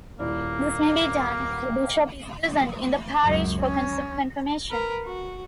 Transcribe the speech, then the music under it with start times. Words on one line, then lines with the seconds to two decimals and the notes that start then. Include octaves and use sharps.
This may be done when the bishop is present in the parish for Confirmation.
0.19 D#1 A#3 E4 D5
3.23 C#2 F#2
3.61 C#4
4.70 A#4 B4
5.05 F#4